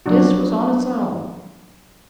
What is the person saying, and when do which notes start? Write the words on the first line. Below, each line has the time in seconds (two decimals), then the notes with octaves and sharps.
Dis was on its own.
0.06 F3 F#3 D4 F#4